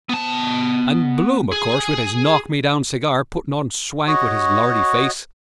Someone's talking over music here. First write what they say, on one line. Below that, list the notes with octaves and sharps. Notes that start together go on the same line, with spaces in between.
And Bloom, of course, with his knockmedown cigar putting on swank with his lardy face.
B3 A5
G#4
F#4 C#5 D#5